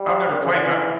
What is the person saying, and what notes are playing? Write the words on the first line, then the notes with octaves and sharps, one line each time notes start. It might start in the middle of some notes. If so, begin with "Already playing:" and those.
I've never played that one.
Already playing: G3
A#2
C#3
D3
E3